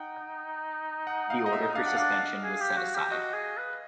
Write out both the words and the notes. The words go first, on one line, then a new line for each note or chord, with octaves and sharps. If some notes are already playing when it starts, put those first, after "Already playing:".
The order for suspension was set aside.
Already playing: D#4 F#5 G5
F#5
F5
D#5
E5
D4 F5
F#5
D4 F5
G#4
G4
F#4
G4
F#4 D#5
G#4
B4